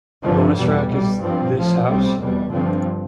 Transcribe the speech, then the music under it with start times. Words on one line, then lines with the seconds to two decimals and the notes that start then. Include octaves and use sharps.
The bonus track Is This House?
0.23 G2 D3 F3
0.56 E2 B2 G3
0.89 B1 B2 G3
1.21 G2 F3 C4
1.54 A1 A2 F3
1.87 B1 A2 G3 C4
2.19 F1 E2 B2 G3
2.51 G2 D3 F3 C4